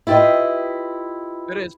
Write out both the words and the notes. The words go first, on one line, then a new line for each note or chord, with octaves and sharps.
It is.
E4 F4 G4 B4 D#5